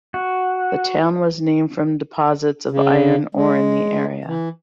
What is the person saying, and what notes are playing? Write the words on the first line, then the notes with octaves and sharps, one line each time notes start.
The town was named from deposits of iron ore in the area.
F#4
C#3
G#3
E3